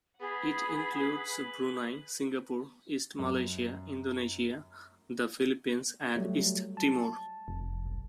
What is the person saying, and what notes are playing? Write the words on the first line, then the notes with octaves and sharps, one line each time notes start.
It includes Brunei, Singapore, East Malaysia, Indonesia, the Philippines and East Timor.
B3 G#4 F#5 B5
B4
F#2
F#3 G3 A3
A5
F1
B1